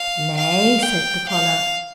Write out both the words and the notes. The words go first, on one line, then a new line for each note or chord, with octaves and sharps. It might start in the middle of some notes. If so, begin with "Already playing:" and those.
"Nay!" said the collar.
Already playing: F5
F5
G5
F5